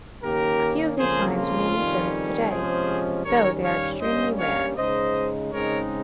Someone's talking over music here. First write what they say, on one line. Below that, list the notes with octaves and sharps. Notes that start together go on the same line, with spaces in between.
A few of these signs remain in service today, though they are extremely rare.
D#3 A#3 C#4 G4 A#4
F2 C#3 F3 A#3 G#4 C5
F4
F2 D#3 G3 C#4
C3 F3 G#3 C#4 G#4 C5
D#3 G3 C#4 A#4 C#5
C#5 F5
G2 G3 A#3 C#4 C5 D#5
C#5 F5
C#3 G#3 D#4 C5 D#5
C#3 G#3 C4 D#4 A#4 C#5